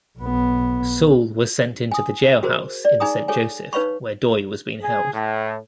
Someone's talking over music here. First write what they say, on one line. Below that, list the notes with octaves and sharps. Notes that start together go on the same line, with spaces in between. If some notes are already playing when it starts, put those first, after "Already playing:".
Soule was sent into the jailhouse in Saint Joseph where Doy was being held.
B1 B3
G#5 D#6
F#4 G#4 A#4 C5
D5
D#4 G#4 G#5 A#5 D#6
G#4 A4 C#5 G#5
D#4 B4 C#5 F5 B5 C#6
G#4
A2